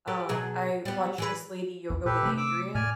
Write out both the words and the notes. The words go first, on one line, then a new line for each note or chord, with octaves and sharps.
um, I watch this lady: Yoga With Adriene,
G4 A4 B4
B2 F#3 G#4
G3 B3
E3 G#4 B4
A#1 E2
A#2 G4 A4 B4
C3 G3 A3
D6 E6
A2 D5 G#5 F6